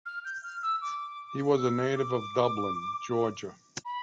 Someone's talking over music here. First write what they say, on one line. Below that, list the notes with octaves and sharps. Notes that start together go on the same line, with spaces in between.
He was a native of Dublin, Georgia.
F6
G6
F6
E6
D6
E6
D6
B5